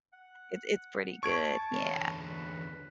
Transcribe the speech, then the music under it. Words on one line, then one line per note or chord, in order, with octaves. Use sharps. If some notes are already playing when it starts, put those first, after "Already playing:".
it's it's pretty good. Yeah,
F#5
A5 C#6 G#6 D7
E2 D3 C#5
B4